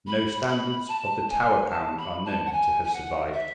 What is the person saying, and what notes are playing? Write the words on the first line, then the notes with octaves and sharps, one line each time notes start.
No standards of the Tower pound are known to have survived.
B5
B5
A5
G#5
A5
B5
A5
F#5
G#5
G#5
F#5
E5